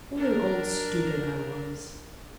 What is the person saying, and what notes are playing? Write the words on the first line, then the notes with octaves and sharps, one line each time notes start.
What an old stupid I was!
D4 A#4